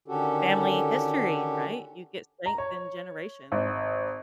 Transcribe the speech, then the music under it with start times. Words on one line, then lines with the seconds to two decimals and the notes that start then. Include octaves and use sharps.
family history, right? You get strength in generations.
0.08 D3 D#3 C#4 F#4 G4 A4
2.46 A#5
2.58 C#5
3.52 G#1